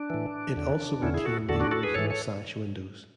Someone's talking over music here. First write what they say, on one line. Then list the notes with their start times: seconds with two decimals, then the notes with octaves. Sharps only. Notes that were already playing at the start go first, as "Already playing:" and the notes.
It also retained the original sash windows.
Already playing: D4
0.10 A2 E3
0.56 E2 D3
1.02 E2 D3 C#4 E4
1.14 E4 G#4
1.25 F#4 A4
1.49 E2 D3 F#4 A4
1.60 D4 F#4
1.71 F#4 A4
1.83 G#4 B4
1.94 G#2 E3 A4 C#5
2.10 A4 C#5